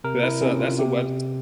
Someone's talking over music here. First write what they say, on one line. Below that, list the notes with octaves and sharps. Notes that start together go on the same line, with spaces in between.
That's a that's a webs
C3 A#4
E4
C3 C#4
F4
C3 G4